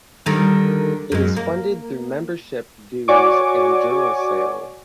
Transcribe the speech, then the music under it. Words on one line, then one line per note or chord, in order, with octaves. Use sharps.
It is funded through membership dues and journal sale.
D3 D#3 G3
F#2 G#3
A#3
F#4 C#5 D5 G#5 C#6 D6